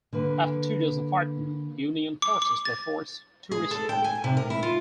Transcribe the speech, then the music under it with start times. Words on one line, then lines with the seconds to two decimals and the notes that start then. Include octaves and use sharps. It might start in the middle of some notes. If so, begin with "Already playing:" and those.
After two days of fighting, Union forces were forced to retreat.
0.13 D3 A#3 B4
2.22 D6
2.42 D6
2.65 A6
3.51 G#4
3.71 A4
3.89 G5
4.04 G#5
4.24 C3
4.37 A#4
4.50 E4
4.63 F4